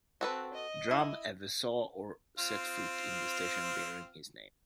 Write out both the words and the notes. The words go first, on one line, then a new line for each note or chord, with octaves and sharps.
Drum ever saw or set foot in the station bearing his name.
C4 F#4 A4 B4
D#5
E4
C4 F4 F6